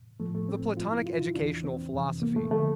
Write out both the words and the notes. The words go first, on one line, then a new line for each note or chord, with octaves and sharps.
The Platonic Educational Philosophy.
A2 F3 A3
A3
C4
G2 F3 F4
E4
F4
E4
E2 E3 D4
C4
F2 C3 E3
A#3
A3
D3 F3 A3